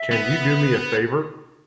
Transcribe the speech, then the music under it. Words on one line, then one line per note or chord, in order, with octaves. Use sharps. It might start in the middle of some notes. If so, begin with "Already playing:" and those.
Can you do me a favor?
Already playing: E5
B3